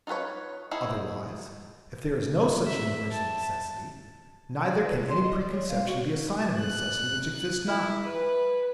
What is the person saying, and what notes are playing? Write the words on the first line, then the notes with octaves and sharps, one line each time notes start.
Otherwise, if there is no such universal necessity, neither can any preconception be a sign of a necessity which exists not.
D#4 F4 G#4 B4 C#5
D#4 E4 G#4 C5
E5
A5
D5
B4
F4
C6
D#5
D5
C#5
F5
F#4
F#6
E4
B4